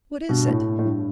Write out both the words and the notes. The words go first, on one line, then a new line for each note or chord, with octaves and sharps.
"What is it?"
G2 B2
A2
A2
G2